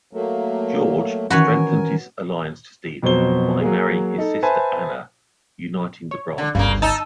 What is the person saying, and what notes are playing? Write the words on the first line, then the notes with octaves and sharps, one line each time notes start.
George strengthened his alliance to Stephen by marrying his sister Anna, uniting the branches.
F#3 A3 A#3
D#3 E3 C#4 F#4 A#4 B4 C#5 G#5
F2 B2 F#3 C5 G7
F#3 A#3 G#4
D#4 A4
B4 C5 E5 G#5 A5 B5
C#5
D3
G1 C#2 G2 C#3 A#3
D#4 A5 E6